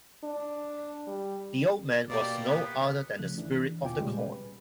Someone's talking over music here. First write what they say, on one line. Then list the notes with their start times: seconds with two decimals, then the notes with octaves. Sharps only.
The old man was no other than the Spirit of the Corn.
0.24 D4
1.07 G3
2.10 B2 A#3 G4 D5
2.46 B3
3.19 C#2 C#3 F3 A3 F#6
3.38 E3 D4
3.83 D#2 B2 F4 G5 G#5 D6
3.99 A#2 C#3 G3 G#3 B3
4.19 B4